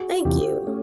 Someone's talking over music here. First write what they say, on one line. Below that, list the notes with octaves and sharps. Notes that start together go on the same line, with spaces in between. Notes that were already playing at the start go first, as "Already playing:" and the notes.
Thank you.
Already playing: F#4 G#4
E2 C3 E3 F4 G4
A3 C#4